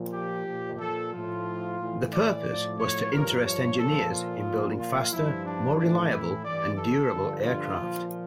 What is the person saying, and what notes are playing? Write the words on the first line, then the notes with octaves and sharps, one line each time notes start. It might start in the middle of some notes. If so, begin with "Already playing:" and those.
The purpose was to interest engineers in building faster, more reliable, and durable aircraft.
Already playing: A#2 F3
G4
A#2 F3
A4
A2 F3 F4
A2 E3
D5
A2 F3
C#5
G2 F3 A#4
C#5
A#2 F3 A4
F4
A#2 F3
F4
G2 F3 E4
D4
A2 E3 D4
E4
G2 E3 D5
A4
G2 D3 F3
F4
A#2 F3